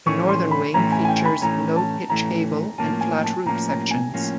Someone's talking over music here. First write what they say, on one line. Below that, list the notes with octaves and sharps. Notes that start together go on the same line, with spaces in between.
The northern wing features low pitch gable and flat roof sections.
A2 E3 A3 C#4 C#6
C6
B5
A2 E3 A3 C#4 A#5
G#5
G#5
G5
B5
A2 E3 A3 C#4 A#5
A5
A2 E3 A3 C#4 A#5
A2 F3 A#3 C#4 A5
G#5
A5
A2 F3 A#3 C#4 A#5
A#5
G#5
A2 F3 A#3 C#4